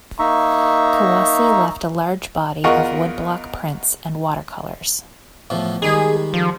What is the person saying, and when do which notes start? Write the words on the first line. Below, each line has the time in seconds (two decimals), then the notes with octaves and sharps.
Kawase left a large body of woodblock prints and watercolors.
0.19 A#3 D#4 E5 A#5 C#6
2.64 E2 F4 A#4 D#5 F#5 C#6
5.50 E2 A2 F3
5.82 D#3 G3 G#3 G#4
6.34 F3